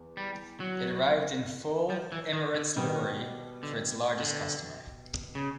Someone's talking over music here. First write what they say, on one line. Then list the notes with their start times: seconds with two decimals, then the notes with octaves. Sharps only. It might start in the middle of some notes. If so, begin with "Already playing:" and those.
It arrived in full Emirates livery for its largest customer.
Already playing: E2
0.17 G3
0.60 F#3
1.90 F3
2.12 E3
2.33 D#3
2.54 D3
2.76 B2 D#3 G3 B3
3.63 D3
4.20 D3
5.35 C#3